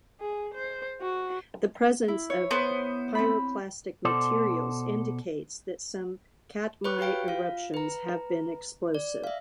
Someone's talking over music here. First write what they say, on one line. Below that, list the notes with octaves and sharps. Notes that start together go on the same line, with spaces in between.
The presence of pyroclastic materials indicates that some Katmai eruptions have been explosive.
G#4
C5
F#4
E4
C#5
B3 C5
C4 B5
B2 A4 C5 D5
B4 C#5 B5 C#6 F#6
F#4 G4 F5 G5 D7
F4 F5
B4 A#5
D5
E5 F5